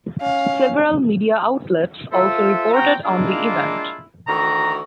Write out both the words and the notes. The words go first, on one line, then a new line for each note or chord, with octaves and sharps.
Several media outlets also reported on the event.
C#4 F5
F4 A4 C5 E5
C4 F#4 C5 G5 A#5
G#3 A#3 D4 E4 F4
D2 D#3 E3 F#4 A#5